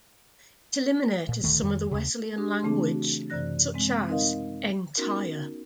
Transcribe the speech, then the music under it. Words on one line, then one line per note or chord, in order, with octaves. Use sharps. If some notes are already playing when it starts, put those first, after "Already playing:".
It eliminated some of the Wesleyan language, such as "entire".
A#2
D#1 D2 D#3 A3
F2 D#3
D#2 C#3
D4 G4
C#3 E3 A3 C4 D4 G#4
F#4
F#2 C3 E3 D5 F#6 A#6
G#3 C4
C4 D#4 A#4 D#5 F5
B3 C#4 D#4 F#4 A#4